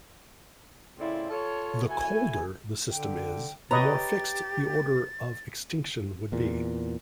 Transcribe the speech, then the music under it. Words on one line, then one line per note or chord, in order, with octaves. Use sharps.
The 'colder' the system is, the more fixed the order of extinction would be.
A2 C#3 C4 E4 F4 D5
F4 A4 C#5
A3 E4 F#4 G#5
D3 G5
G4 B4 C#5 D#5 A#5 A6
E2 A#2